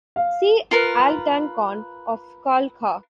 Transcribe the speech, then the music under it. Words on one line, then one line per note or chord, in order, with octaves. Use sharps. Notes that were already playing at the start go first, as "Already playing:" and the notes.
See Altan Khan of Khalkha.
F5
F4 A#4 B4